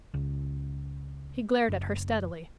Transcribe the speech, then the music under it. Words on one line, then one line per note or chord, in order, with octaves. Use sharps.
He glared at her steadily.
C#2
F#1